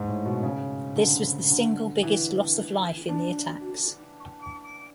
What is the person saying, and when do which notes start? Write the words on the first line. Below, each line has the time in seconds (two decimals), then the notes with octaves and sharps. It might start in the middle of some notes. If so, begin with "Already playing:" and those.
This was the single biggest loss of life in the attacks.
Already playing: G#2
0.08 A2
0.26 B2
0.43 C#3
0.96 D3
1.50 D3
2.03 E3
3.09 D4